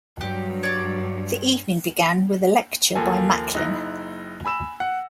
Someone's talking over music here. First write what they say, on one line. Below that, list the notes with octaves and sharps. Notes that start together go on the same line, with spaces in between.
The evening began with a lecture by Macklin.
G2 F#3 G4
C#5 D5
D#2 F3 A#3 A4 G#5
F#1 D#4 E4 F#6 A#6
G#5 B5 E6 E7
F#5